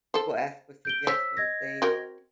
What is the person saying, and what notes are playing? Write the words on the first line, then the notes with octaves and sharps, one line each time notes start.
people ask for suggestions, they
A4 C5
G6 D7 G7
C5 C#5 E6 B6
D#5 G#6 A#6
C4 F#4 A#4